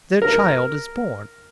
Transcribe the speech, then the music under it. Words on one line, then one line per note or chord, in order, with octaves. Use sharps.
Their child is born.
A#4